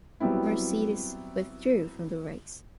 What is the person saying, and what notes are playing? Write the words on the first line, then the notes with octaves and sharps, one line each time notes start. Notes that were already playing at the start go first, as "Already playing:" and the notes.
Mercedes withdrew from the race.
F#3 G3 B3 C4 E4